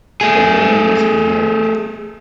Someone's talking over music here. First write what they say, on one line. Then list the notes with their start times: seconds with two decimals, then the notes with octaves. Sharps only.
The man must be mad!
0.21 A3 G#4